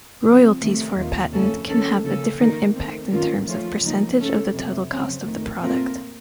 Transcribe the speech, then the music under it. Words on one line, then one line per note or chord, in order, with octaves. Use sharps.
Royalties for a patent can have a different impact in terms of percentage of the total cost of the product.
C#3 F3 C4
C3 D#3 A3
D#2 D#3 A#3 F4
F2 C#3 A3 C#4 A4
D#3 F#3 A#3 C#4 A4
C#3 F3 A#3 C#4 A4
D#3 A#3 D#4 A#4
D#3 A3 C4
F#2 D#3 A#3 C#4 F4
F3 A3 C#4 F4
C#3 F3 A#3 D#4
C#3 A3 C#4 A4
F2 C3 F#3
C#3 F#3 C4
F2 D#3 A3
A#2 A3 C4 F4 A#4